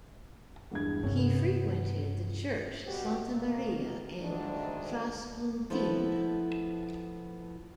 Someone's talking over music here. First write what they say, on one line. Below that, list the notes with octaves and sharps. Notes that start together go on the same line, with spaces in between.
He frequented the church Santa Maria in Traspontina.
E2 G2 G#6
G2 C3 C4 C#4 C#5
B3
B2 G3 B3 F#4 G4
B2 A#3
D2 G#2 D3 D#3 D4
F3 A3 B3 E4